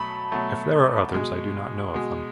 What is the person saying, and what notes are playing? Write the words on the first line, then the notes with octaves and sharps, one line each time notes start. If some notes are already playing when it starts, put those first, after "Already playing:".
If there are others, I do not know of them.
Already playing: B2 F#3 A3 A5 B5
B2 F#3 A3
B2 G#3
B2 G#3